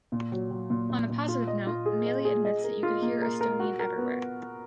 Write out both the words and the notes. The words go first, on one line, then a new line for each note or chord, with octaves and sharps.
On a positive note Maily admits that you could hear Estonian everywhere.
A#2
F#3
F#3
A#2
A#2
A#2
F4
D#5
F4
G#4
D#5
G#4
D#5
A#4
F4
A#3
A#4
A#4
F#4
A#4
B3